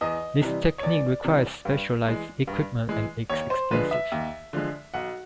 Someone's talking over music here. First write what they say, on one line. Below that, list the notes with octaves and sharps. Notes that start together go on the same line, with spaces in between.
This technique requires specialized equipment and is expensive.
E2 D#5
C3 E3 G3
C#5
E2 D5
C3 E3 G3
G2
E3 G#3
G2
E3 G#3
D#2 C#5
C5
D3 F3 G#3 B4
E5
D#2
D3 F3 G#3
B1 F#5